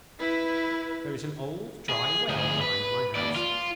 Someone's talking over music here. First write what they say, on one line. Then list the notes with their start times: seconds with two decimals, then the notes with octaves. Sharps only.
'There is an old, dry well behind my house.
0.19 E4 B4
1.89 G#4
2.29 D2 G#4
2.61 B4
3.15 D#2 D5
3.35 F4